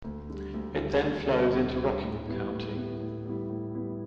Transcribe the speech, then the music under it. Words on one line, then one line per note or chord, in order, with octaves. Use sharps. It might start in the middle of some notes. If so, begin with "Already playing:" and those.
It then flows into Rockingham County.
D2
D3 G3
D2
D3 G3
D2
D3 G3
D2
D3 G3
A2
G3 B3 E4
A2
G3 B3 E4
A2
G3 B3 E4
A2
G3 B3 E4